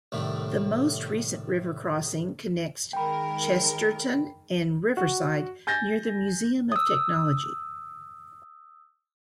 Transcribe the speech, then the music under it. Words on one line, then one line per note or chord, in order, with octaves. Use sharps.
The most recent river crossing connects Chesterton and Riverside near the Museum of Technology.
C2 A2 D#3
D#3 G#3 A#4 G5 B5
F#4
G#5 G6 A6 A#6
D#6 E6